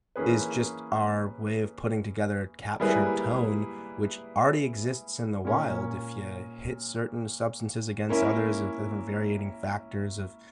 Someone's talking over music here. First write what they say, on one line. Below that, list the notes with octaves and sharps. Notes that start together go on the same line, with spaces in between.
is just our way of putting together a captured tone, which already exists in the wild if you hit certain substances against others with the variating factors of
E3 A#3 C#4 G#4 B4
G3 A#3 E4 G#4 B4
A#2 A#3 C#4
A#3 C#4 E4 A#4